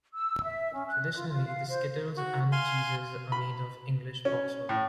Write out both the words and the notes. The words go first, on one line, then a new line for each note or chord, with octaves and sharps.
Traditionally the skittles and the cheeses are made of English boxwood.
E6
E5
C#4
F#6
F4
F4
F5
C5
F#4
F5 G#5 C6
B5
C#4
A2